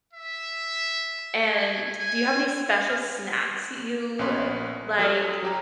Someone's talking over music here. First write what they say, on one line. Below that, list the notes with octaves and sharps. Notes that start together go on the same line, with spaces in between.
and do you have any special snacks you, uh, like
E5
G#5
G#5
F6
A#1 B3 C#4 B4 C#5 C6
F#3 A4 D#6 F6
F#3 G4 A#5